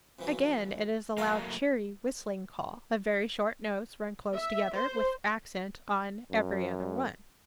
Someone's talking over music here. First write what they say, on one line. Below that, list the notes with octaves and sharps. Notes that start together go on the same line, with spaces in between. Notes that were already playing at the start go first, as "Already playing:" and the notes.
Again it is a loud cheery whistling call, of very short notes run close together, with accent on every other one.
F2 E3 F#3
F#3 A3 A#3 F5 G#5
E5
C5
F#2